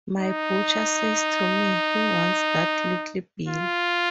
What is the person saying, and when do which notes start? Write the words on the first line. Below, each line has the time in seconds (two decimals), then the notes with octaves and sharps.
My butcher says to me he wants that little bill.
0.20 D#4
3.48 F4